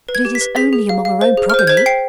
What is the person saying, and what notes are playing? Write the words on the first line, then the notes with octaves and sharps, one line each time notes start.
'But it is only among our own progeny.'
B4
G#6
G4
B6
B4
G#4 B6
G#4
F5
F5
C5
G#4
F6
C5 G6
C5 G#6
B6
G5 C7